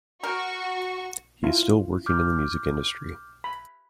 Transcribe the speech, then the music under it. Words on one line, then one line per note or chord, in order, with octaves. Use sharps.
He is still working in the music industry.
F#4 A#4 C#6
E4 F4
D6 F6 G6
B5